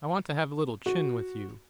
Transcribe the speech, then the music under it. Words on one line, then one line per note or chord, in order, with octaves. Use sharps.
I want to have a little chin with you.
F#4